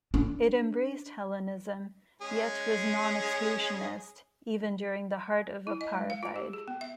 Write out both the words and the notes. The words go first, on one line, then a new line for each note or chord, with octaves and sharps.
It embraced Hellenism, yet was non-exclusionist, even during the heart of apartheid.
D4
G#3 C#4 G#4
E4
D#5
G#3
F5
F4
G4
G#4
B3
E5